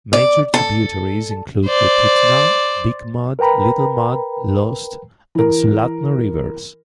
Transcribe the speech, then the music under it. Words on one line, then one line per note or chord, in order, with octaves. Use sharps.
Major tributaries include the Titna, Big Mud, Little Mud, Lost, and Sulatna rivers.
D5
A4
C5 D5
A#4 B4 G5 A#5 B5
E3 A#4